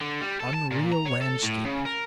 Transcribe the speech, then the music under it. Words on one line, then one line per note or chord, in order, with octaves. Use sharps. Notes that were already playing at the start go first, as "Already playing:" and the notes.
Unreal landscape!
D3
G3
A4
A5
A#2
A#5
C#5
A4
A2
C#3
A#4